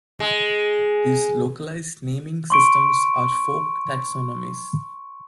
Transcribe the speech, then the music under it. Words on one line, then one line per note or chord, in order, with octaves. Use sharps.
These localised naming systems are folk taxonomies.
G#3
C6 C#6 D7